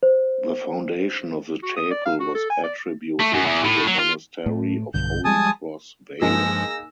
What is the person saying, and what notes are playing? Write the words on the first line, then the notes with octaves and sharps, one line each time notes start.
The foundation of the chapel was attributed to the monastery of Holy Cross Vale.
C5
F#4
D#6
D5
F5
F#4
A4
G#5
D5
A3
F#2
E2
A2
F#3
F4
A2 A3
B1 G2 D3 G6
F3 G3 G#3 G#5 A5 D#6
G2 F3 G#3 A#3 D#4 G#4 E6 A#6